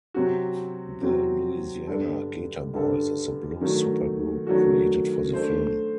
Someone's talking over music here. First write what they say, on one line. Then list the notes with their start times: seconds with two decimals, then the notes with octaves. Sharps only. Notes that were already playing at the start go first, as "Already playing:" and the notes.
The Louisiana Gator Boys is a blues supergroup created for the film.
0.14 C3 F#3 C4 F#4
1.01 C3 F#3 C4 F#4
1.87 G2 D3 G3 D4 A4
2.74 G2 D3 G3 D4 A4
3.61 D#3 F#3 A3 D4 F#4
4.47 D#3 F#3 A3 D4 F#4
5.33 A3 D4 A4 C5